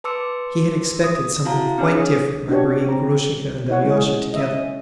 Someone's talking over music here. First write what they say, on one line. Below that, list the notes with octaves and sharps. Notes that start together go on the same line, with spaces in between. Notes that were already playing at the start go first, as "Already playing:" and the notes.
He had expected something quite different by bringing Grushenka and Alyosha together.
B4 A5 C6 D6 E6 C#7
D#6
E4 F#4 F5 A5 A#5
C4 D4 G#4 C#5 G#5
D#6
D4 F#4 G4 C#5
C4 A#5
E4 C#5 F#5
G#3 C#4 G#4
D#5 E5
C#4